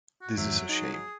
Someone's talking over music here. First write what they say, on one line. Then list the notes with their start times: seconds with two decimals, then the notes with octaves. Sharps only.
This is a shame.
0.21 F#4
0.38 F2 G#2 D#3 F#3 E5
0.69 D#4 G#4
0.93 G#4